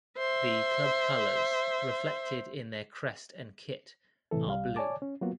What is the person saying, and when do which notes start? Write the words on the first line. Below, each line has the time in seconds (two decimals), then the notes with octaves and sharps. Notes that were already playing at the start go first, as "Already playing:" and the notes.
The club colours, reflected in their crest and kit, are blue.
0.18 C5 E5
4.31 A2 C3 E3 A4
4.46 C2 G3 F5
4.76 C#5 D5 G#5 A5 D6
5.02 C#4
5.21 F#3 A#3 B3 F4 F#4